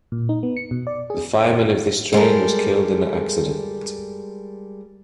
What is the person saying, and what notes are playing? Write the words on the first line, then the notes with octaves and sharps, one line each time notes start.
The fireman of this train was killed in the accident.
A#2
D#4
B3
C#7
B2
D5
G#4
G3 G#3 A4 A#4